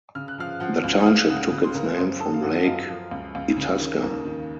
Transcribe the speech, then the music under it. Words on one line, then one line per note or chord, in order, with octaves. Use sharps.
The township took its name from Lake Itasca.
C#3 F6
F#6
F3 F5 F6
F3 F#5 F#6
C#2
D#6
C#2 F5 F6
C#3 F#5 F#6
C#3
C6
C#3 A#4 A#5
F#2 C5 C6
D#3 A4 A5
F5
F#2 F#4 F#5
D#5
F#2 F4 F5
F3
C#2
C#2
C#3
D#3
D#2
D#3